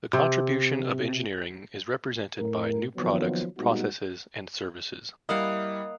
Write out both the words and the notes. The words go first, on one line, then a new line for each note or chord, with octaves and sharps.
The contribution of engineering is represented by new products, processes and services.
C3
A2 A#4
D#3 F3 F#3 A#3 B3
A#2 G3 G#3 B3 D#4 F#4
G3 A#3 E4 D#5 F5 F#5 D#6